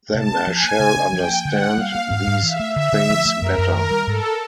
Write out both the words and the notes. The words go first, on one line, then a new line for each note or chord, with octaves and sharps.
Then I shall understand these things better.
C3 A5
C#4
F3 G#5
A#3
C#3
D4
F3 G5
A#3
D3 F#5
D4
G3 F5
A#3
G#2 F5
G#2
E3 E5
A3
D3 E5
D3
F3
A3
F#2 A#4
F#2
D#3 A#4
G3
G#2 A4